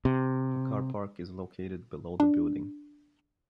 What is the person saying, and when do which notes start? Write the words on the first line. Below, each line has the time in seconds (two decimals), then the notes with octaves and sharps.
A car park is located below the building.
0.05 C3
2.20 D4